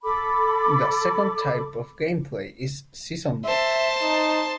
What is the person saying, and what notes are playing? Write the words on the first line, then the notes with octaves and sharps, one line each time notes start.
The second type of gameplay is season mode.
A4 B5 D6
C5 E5 A5
D#4